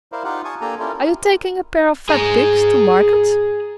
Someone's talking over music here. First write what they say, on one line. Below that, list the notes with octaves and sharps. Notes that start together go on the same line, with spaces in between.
"Are you taking a pair of fat pigs to market?"
E4 A#4 C5 D5 F5
D#4 F4 G4 F5 F#5
G#5 A5 C#6 D#6
A#3 D4 G4 A4 G#5 A#5
C#4 E4 F4 G4 A4 A#4
G#4 A#5